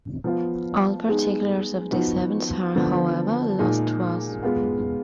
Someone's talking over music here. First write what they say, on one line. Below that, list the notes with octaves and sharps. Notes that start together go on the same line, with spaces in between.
All particulars of these events are, however, lost to us.
F3 B3 F4
G#3 B3 D#4 G#4
F3 B3 D#4 F#4
D3 F3 B3
A#2 G#3 D#4 G#4
G#3 B3 F4